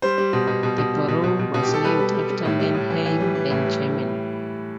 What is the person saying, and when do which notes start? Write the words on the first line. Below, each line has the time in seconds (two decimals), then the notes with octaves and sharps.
The borough was named after Mannheim, in Germany.
0.02 G3 C5
0.18 G3
0.33 B2
0.47 B2
0.63 B2
0.78 B2
0.94 G3
1.09 B2
1.24 B2
1.39 B2
1.54 B2
1.63 G4
1.69 B2 A4
1.84 G3 B4
1.99 G3
2.14 G3
2.30 G3
2.45 A2
2.60 G3
2.74 A2
2.90 E3
3.06 E3
3.20 G3
3.35 E3
3.51 A2
3.66 G3